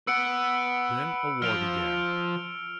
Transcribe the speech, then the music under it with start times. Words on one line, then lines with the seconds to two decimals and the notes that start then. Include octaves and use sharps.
Then a war began.
0.07 B4 F#5 E6 C#7 D7
1.42 F3 F6 D7 F7